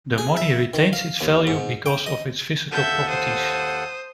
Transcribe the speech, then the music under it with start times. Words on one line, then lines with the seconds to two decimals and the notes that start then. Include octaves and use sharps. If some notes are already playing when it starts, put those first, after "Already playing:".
The money retains its value because of its physical properties.
0.18 G#4
0.37 E5
0.74 D#3
0.93 F5
1.21 D#2
1.47 G#2
1.86 G5
2.06 D#5
2.72 D#2 A4 E5 F#5 G6
3.09 C5 D#6